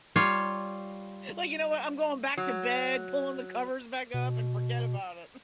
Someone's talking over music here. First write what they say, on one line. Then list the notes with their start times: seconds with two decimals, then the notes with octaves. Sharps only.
like, "You know what I'm going back to bed, pulling the covers back up, and forget about it!"
0.16 G3 F4 C#5 F5
2.37 F#3
4.14 B2